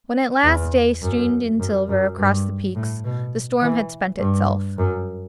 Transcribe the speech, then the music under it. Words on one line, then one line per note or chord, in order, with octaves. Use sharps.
When at last day streamed in silver across the peaks, the storm had spent itself.
E2
F#2
F#2
F#2
G2
A2
B2
E3
G2
F#2